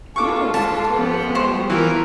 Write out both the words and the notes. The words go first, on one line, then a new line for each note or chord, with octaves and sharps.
No, it's, uh, totally fine. I mean,
F4 A4 C#6 D6
G#2 A5
F3 B3 G4
C5 C#6
E3 F3 E4 A#4 B4